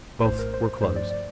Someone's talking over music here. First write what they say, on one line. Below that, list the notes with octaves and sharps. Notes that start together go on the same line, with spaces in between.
Both were closed.
A#1 A2 A3 C5
A#4
C5
G2 F3 A3 C5
D5
D5